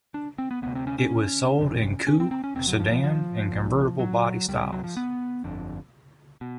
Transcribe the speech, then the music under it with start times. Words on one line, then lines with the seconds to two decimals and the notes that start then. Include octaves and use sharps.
It was sold in coupe, sedan and convertible body styles.
0.14 D4
0.38 C4
0.51 B3
0.62 D2 C3 B3
0.75 C4
0.87 C#4
0.99 C#4
1.59 G1 F2 C3
2.07 C#4
2.20 C4
2.31 C4
2.44 C#4
2.55 E1 E2 C3 C4
2.68 F#3
2.80 F3
2.91 F3
3.04 F3
3.52 B1 A#2
3.99 F#3
4.48 C#2 G3
4.52 C3
4.60 G3
4.72 F#3
4.84 F3
4.97 B3
5.44 G1 F2 D3
6.41 B2